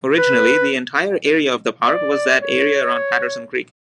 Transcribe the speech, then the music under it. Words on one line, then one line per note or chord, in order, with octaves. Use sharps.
Originally, the entire area of the park was that area around Patterson Creek.
B4
D5
C#5